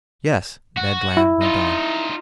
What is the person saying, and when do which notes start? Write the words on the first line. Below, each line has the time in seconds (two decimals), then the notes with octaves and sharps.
"Yes," Ned Land went on.
0.77 F#4
1.17 E4
1.42 D#4 F4